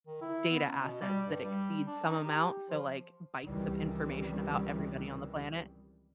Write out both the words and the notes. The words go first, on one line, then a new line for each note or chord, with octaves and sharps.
data assets that exceed some amount, so, like, bytes of information about everybody on the planet.
D#3
E4
B3
C#4
B2
G3
G2
G3
D4
D#4
G4
F3
C#2 C3 D#3 E3 G3